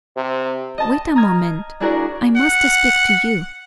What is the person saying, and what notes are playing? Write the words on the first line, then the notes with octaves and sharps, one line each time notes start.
"Wait a moment, I must speak to you."
C3
D#5 A5
A#5 D#6 F6 G#6
D4 E4 F#4 G#4 A#4 D5
F#5